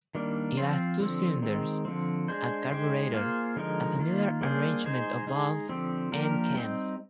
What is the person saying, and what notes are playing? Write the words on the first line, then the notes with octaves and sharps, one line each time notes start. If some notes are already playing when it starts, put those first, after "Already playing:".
It has two cylinders, a carburetor, a familiar arrangement of valves and cams.
D#3 G3 A#3 D4
F3 C4 F4 C5
D3 F3 C4
D#3 G#3 C4
D3 F3 C4
G#3 D4 G#4 C5
G#3 D#4 G4 C5
A#3 F4 G#4 C5
D3 F3 G#3 D#4 A#4
D#3 A#3 F4
G3 A#3 D4 G#4 C5
G#3 D#4 G#4 C5
G#3 D#4 G#4
D3 F3 C4 G4
F3 A#3 D4 G4 A#4
G3 C4 D#4